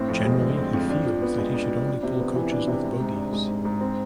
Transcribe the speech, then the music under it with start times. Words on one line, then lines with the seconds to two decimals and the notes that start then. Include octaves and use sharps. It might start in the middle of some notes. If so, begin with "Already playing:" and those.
Generally, he feels that he should only pull coaches with bogies.
Already playing: A2 C4
0.09 F2
0.25 G#3
0.41 D3
0.57 C4
0.74 F2
0.90 D4
1.06 F3
1.22 B3
1.38 G#3
1.54 D4
1.70 F3
1.87 D4
2.03 C3
2.19 B3
2.35 E3
2.51 D4
2.68 C3
2.84 G#2
3.00 G#2
3.16 D4
3.32 G#3
3.48 G#2
3.65 G#2
3.81 C4